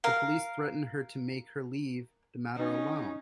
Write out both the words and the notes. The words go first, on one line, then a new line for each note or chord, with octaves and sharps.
The police threaten her to make her leave the matter alone.
A#4 F5
C#4 D#4